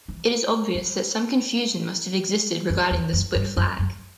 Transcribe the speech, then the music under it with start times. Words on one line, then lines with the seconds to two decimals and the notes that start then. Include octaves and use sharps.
It is obvious that some confusion must have existed regarding the "Splitflag".
0.08 E3
0.74 F#3
2.69 F#2
2.91 E2
3.13 F#2
3.35 G2
3.56 F#2
3.79 F#2